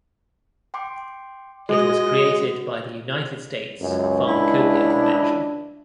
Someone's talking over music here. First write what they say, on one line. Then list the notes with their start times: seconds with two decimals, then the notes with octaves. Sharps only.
It was created by the United States Pharmacopeia Convention.
0.74 G5 C6 D6
1.69 G#3 F#4 D#5
3.81 C#2 F#2
4.26 D4 E4